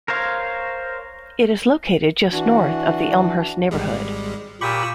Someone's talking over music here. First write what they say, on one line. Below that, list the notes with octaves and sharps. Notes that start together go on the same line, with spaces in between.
It is located just north of the Elmhurst neighborhood.
A#4 C5 C#5 F5
E3 D4 F#4
G#1 G3 G#3
A#2 G4 B5 C#6 D#6 E6